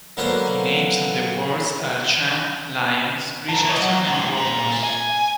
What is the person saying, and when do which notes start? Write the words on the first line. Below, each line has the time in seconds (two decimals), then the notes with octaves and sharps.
The names of the wards are Chan, Lyons, Richardson, and Waters.
0.17 D3 F#3 A#3 B3 B4 C5
3.48 D3 A#4
3.70 C#5 D#5
3.82 F#3
4.07 D#3 G#3
4.36 A#2
4.84 G#5